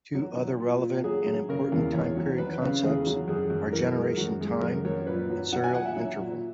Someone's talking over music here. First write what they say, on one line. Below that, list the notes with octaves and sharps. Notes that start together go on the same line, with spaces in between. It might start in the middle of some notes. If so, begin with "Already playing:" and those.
Two other relevant and important time period concepts are generation time and serial interval.
F#3
F#3
A#2
A#2
F#3 G#4
F#3
C#3 A#4
E2
E2 C#5
F#3
F#3 B4
C#3
E2 G#4
F#3
F#2 G#4
F#2
E3 A#4
G#3
F#2 F#4
G#3
F#2 A#4
F#2 C#5
A#2 B4
F#3
F#3 F#5
G#5
A#2 F#5
E5
F#3
A#2